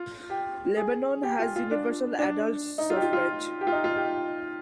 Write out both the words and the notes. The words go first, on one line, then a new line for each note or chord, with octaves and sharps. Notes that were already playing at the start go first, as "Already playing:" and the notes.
Lebanon has universal adult suffrage.
Already playing: F4
G4
G#4
G4
F4
F4
D4
D4
D#4
F4
G4
F4
F4
G4
F4
D#4
F4
G4